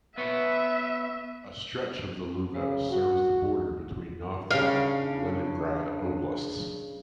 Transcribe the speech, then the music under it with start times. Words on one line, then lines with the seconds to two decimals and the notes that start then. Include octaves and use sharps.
A stretch of the Luga serves the border between Novgorod and Leningrad Oblasts.
0.18 B3 B4 C#5 E5
2.54 C#3
2.91 F#4
4.51 C#3 G3 D4 F5